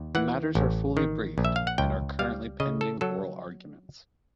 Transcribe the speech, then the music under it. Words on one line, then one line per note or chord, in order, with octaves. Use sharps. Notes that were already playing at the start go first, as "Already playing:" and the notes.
The matters are fully briefed and are currently pending oral arguments.
Already playing: D#2
E3 F#5
A1
D#3
A#1
E5
F5
F#5
C#2 G5
G3 F5
C#3 D#5
A4
F#3 A4